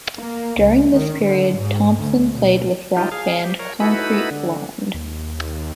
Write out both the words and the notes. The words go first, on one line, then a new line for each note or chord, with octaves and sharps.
During this period Thompson played with rock band Concrete Blonde.
A#3
C#2
D#3
D3
G#2
D2
B2
F3 D#4 F4 G4
G#4 F5
G4
A#4 C#5
D#4 E4 F#4 A4 B4 B5
D3
D#2